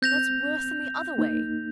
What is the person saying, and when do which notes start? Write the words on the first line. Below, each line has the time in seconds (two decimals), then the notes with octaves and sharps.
That's worse than the other way.
0.02 C4 G6 A#6 F7
1.18 A#3 D#4